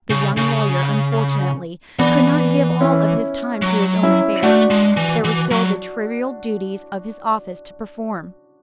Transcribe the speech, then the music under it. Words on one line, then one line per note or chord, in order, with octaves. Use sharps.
The young lawyer, unfortunately, could not give all of his time to his own affairs; there were still the trivial duties of his office to perform.
C#3
C#3
E3 B3 D4
C#4 E4
F#3
C#4 E4
A3 D4 F#4
G#3
E3
E3
F#3